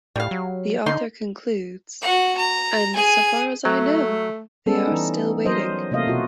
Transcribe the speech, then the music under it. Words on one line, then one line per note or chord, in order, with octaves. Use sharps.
The author concludes And so far as I know, they are still waiting.
A2 G3 F5
F#3
D3 D#4 C6
F#4 F#5
A#5
G#4 G#5
F#3 A3
G3 B3 C#4 A4
E3 D#4
F#3 A#4 C5 D#5
C3 A3 A#3 D#5 F5
B2 F4 F#4